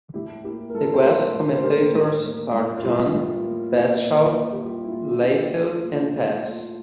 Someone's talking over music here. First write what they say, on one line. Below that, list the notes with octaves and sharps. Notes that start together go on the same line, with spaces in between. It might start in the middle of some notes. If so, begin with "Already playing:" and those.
The guest commentators are John "Bradshaw" Layfield and Tazz.
A2 E4 G4
A#3 E4 G4
A#4
A2 F4 A4
C5
G3 G4 A#4
A2
C5
A#3 G4 A#4
A2
A#3
A2
F4
G3 E4
A2
F4
A#3
A#2 E4
A#3
A#2
G4
G3 F4
E4
A#2 F4
A#3 E4 G4
A3 F4
A#2
E4
A#2
A3 F4